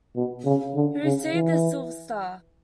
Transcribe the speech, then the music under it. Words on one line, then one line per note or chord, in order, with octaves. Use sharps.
He received the Silver Star.
B2
C#3
D3
C#3
E3